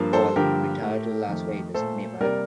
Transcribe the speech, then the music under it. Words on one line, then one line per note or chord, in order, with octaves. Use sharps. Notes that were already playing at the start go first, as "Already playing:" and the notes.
Paul retired to Las Vegas, Nevada.
Already playing: G2 F3 A#3
A4 C5
G2 D3 F3 A#3 G4 A#4
A2 A3
F2 D#3 A3
A#2 A3 A4 C5
C3 G3 A#3 A#4 D5